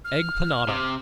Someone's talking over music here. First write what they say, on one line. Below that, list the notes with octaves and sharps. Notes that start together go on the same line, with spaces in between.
Egg Panada.
F6
C3